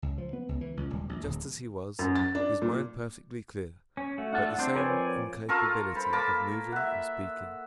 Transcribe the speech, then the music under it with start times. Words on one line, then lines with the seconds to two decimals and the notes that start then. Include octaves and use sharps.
"Just as he was, his mind perfectly clear, but the same incapability of moving or speaking."
0.02 C#2
0.18 F3
0.33 B3
0.49 C#2
0.61 E3
0.77 C#2
0.90 D#1
1.09 A#1
1.23 D1
1.99 F#2
2.15 A6
2.35 D4
2.62 A#2
3.97 C#4
4.18 A3 F#4
4.33 D4 F4 A4 F#5
4.59 C4 D4 C5
4.75 F3 A#4 B4 C#5 D5 G#5
5.49 F4 A4 A#4 C#6
5.95 C5 B5
6.13 A#3 A5 B5 D6
6.72 E5 F#5